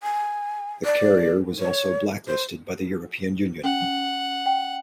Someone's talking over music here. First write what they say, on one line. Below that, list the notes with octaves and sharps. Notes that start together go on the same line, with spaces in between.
The carrier was also blacklisted by the European Union.
G#5
D5
C#5
C5
C#4 F#5
G5